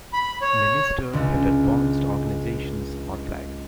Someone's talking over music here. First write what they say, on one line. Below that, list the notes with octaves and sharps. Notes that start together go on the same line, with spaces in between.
Ministered at Advanced Organizations or Flag.
B5
C#5
C#2 D3